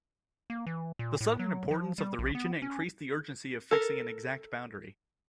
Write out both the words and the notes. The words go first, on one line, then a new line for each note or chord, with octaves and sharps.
The sudden importance of the region increased the urgency of fixing an exact boundary.
A#3
E3
A#2
A2
F#3
F3
G3
A#1
B3
C#4
A4 A#4